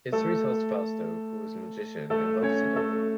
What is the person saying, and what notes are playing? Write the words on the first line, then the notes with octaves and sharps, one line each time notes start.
History tells Fausto, who is a magician, invokes the Devil.
A3 A4
A3 A4
C#4 C#5
A3 A4